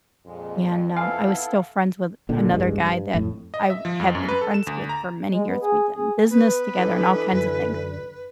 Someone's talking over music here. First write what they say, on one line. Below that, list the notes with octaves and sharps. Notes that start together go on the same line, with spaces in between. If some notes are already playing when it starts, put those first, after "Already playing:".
and, um, I was still friends with another guy that I have been friends with for many years, we've done business together and all kinds of things.
F2 A#2 G#3
B3 E4 A4 F5 G#5
A#2 D3
F1 C2 G2 G#3
G2
F2 A2
D#5
E5
F3
F2
F#2
B4
A4
E7
D2
A#5
G#3
B3
G#4
G#4
B3 B4
E3 D4 D#4 A4
F#2 D3